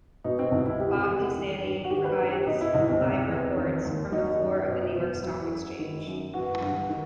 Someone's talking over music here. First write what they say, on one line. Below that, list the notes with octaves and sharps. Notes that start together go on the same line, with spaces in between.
Bob Pisani provides live reports from the floor of the New York Stock Exchange.
B2 D#4
C4
C2 D#4
E4
C3 G4
F#4
G4
E2
D#3
G2
F#4
D#3 G4
B4
F#2
G4
B2 D#4
E4
C2 D#4
C4
C3
E2
D#3
D#2
F#3 D#4
F#2
B2
E2
F#3 E4
F#2
D#3
F#2
E3 F#4
G2
D#3